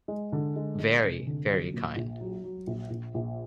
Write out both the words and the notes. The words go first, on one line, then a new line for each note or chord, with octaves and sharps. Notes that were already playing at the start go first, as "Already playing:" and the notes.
Very, very kind.
G#3
D3
G#3
G#3
F1
D3
F#3
A#2
A#1
F#3
F#3
A#1
A#1
A#1